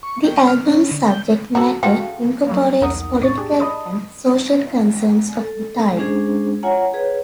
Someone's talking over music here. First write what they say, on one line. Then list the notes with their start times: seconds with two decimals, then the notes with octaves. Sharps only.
The album's subject matter incorporates political and social concerns of the time.
0.03 C#6
0.24 G5
0.47 F6
0.67 C#4
0.91 D3
1.07 G6
1.55 C4 F#4 A4 A#5
1.83 C#3 A3 F4 F#4 G5
2.47 F#3 G3 A#3
2.81 B1 E2 D#4 A#4 F#5 D#6
3.21 A2 C#6 A6
3.37 D4 G4 G#4
3.60 D5 D#5 A5 B5 D#6
5.39 A4
5.97 G#3 C#4 D4 G#4 C5
6.63 F4 C#5 F#5 G#5 A#5
6.94 G#4 B4 C#5